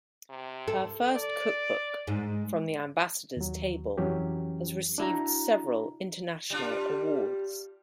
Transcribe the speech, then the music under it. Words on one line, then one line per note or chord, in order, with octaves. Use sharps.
Her first cookbook, "From the Ambassador's Table", has received several international awards.
C3
A4
D5
G#2
D#2 F#3
F2 E3 F#3 C#4 G4
D4 E4 F#4 A#5
G3 D4 F4